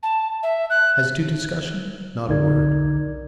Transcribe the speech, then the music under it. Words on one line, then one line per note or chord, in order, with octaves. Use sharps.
As to discussion--not a word.
A5
E5
F#6
B1 D3 D#4 A#4 D5 G#6